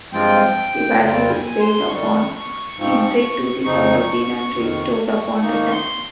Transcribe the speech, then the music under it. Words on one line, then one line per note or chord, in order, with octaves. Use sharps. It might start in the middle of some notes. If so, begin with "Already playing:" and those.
The value is saved upon entry to the subroutine and restored upon return.
G2 F3 G#3 C4 F4 G5
F2 C#3 G3 C4 F4 G5
G#5
C6
F2 D#3 G3 C#6
G#2 F3 C4
F2 C#3 F3 C4 D#4 C#6
F2 C3 D#3
D#3 A#3 D#4 C#6
C6